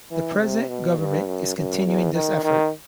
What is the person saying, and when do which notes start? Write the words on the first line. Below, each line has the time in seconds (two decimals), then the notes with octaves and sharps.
The present government is continuing this effort.
0.11 E3
0.40 C3
0.69 B2
0.98 G2
1.28 F#2
1.57 F#2
1.86 E2
2.14 D#3
2.44 D#3